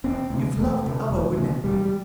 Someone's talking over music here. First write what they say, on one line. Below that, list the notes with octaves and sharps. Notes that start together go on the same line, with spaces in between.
You've loved other women.
E1 C4
D2 C3
E1 A3
D2 C3
E1
D2 C3
E1 G3
G3